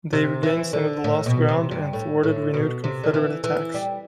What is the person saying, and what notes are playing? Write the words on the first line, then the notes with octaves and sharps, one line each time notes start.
They regained some of the lost ground and thwarted renewed Confederate attacks.
C3
E3
D3
A2
B2
C3
G2
A2
A2
B2
C3
D3
E3
E3
G3